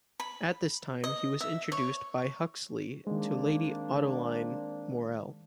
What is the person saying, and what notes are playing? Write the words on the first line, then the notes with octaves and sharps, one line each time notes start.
At this time he was introduced by Huxley to Lady Ottoline Morrell.
B5
D#5
E5
C#5
D#3 G#3 A#3 C4 D4